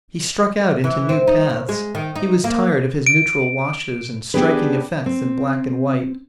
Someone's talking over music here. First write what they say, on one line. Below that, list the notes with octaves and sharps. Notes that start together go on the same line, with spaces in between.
He struck out into new paths; he was tired of his neutral washes, and striking effects in black and white.
E3
C4
D#4
D#2
G#3
D#3
D#4
A#3
D7
B3 D4 G4 G#4 B4
C4